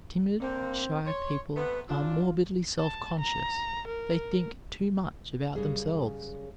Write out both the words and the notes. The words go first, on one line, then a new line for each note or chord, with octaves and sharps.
Timid, shy people are morbidly self-conscious; they think too much about themselves.
D3 A#3 C4
C#5 C6
C3 A3 B3 B4
F#2 C3 D4 F4
A5
A#5
A#4
F#2 C#3 G3 G#4